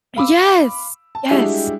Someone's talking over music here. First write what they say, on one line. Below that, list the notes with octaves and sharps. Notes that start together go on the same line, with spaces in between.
Yes. Yes.
F5 B5 D6 E6
A5
G3 G#3 D4 E4 F#4 G4